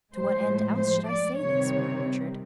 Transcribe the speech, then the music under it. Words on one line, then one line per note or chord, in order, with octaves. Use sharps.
"To what end, else, should I say this?" went on Richard.
A2 F3 G#3 C5
C5
D5
C3 D#3 G3 C4 C#5